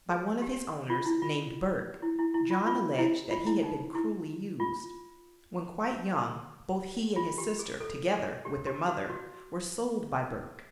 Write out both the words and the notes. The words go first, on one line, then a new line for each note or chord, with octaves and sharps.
By one of his owners, named Burke, John alleged that he had been "cruelly used." When quite young, both he and his sister, together with their mother, were sold by Burke.
G#4
G4
F4
E4
F4
E4
E4
E4
F4
F4
E4
F4
E4
D#4
E4
F4
F4
G4
G#4
A4
G#4
G4
G4
F#4
F#4